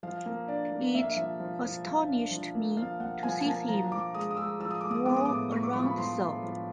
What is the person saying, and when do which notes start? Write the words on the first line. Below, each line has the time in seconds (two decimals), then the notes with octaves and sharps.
It astonished me to see him whirl around so.
0.03 F3 F5
0.26 A#3
0.48 D4 D5
0.71 A#3
0.94 A#3 E5
1.03 F5
1.11 E5
1.16 F3
1.40 F3
1.63 F3
1.86 F3
2.08 D4
2.31 F3
2.55 A#3
2.77 F3 F5
3.00 A#3 F#5
3.23 F3 G#5
3.41 G#5
3.45 A#3 A5
3.68 F3 A#5
3.92 F3 D6
4.14 G#3 D#6
4.31 D#6
4.37 G#3 E6
4.60 F3 E6
4.71 D#6
4.81 G#3 D6
4.91 D#6
5.06 B3 D6
5.16 D#6
5.25 A2 D6
5.51 A2 C#6
5.63 D6
5.73 F3 C#6
5.85 B5
5.98 F3 C6
6.20 A2
6.43 F3